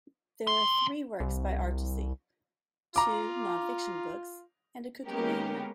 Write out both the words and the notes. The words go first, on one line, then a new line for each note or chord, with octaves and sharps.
There are three works by Artusi: two non-fiction books and a cooking manual.
E2 C6
C2
F4 A#5 D6
G#3 A#3 B3 C#4 G4 A#4